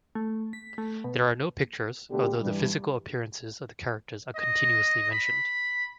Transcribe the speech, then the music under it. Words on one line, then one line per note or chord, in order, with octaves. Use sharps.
There are no pictures, although the physical appearances of the characters are continuously mentioned.
A3
B6
A3
B2
B2 D3 A3 A#3 G4
G2 E3 G3
D#5
B5